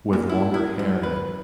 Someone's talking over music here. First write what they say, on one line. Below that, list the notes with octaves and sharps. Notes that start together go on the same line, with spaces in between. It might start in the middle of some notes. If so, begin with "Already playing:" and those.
with longer hair and a p
A#2
E4
E4
F#2
B4